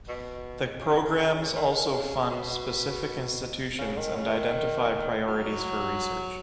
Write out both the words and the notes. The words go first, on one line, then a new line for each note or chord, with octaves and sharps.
The programs also fund specific institutions and identify priorities for research.
B2
C#3
E3
D#3
C#3
B2
C#3
D#3
C#3
E3
D#3
F#3